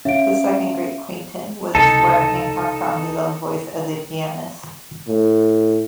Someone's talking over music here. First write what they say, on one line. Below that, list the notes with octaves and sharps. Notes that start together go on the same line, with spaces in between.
The second great quintet was where Hancock found his own voice as a pianist.
C#4 E5 F5 D7
C#2 C3 D#4 A4 A5
A2